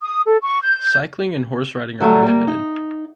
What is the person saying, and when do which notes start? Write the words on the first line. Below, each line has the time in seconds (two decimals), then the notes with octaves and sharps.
Cycling and Horse Riding are prohibited.
0.02 D#6
0.26 A4
0.42 C#6
0.62 G6
2.00 D3 F#3 G3 A3
2.23 G3 A#3
2.48 D#4